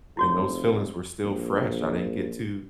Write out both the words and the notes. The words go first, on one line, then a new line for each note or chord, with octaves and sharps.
And those feelings were still fresh. I didn't get to
F1 E4 F#4 C#5
A#1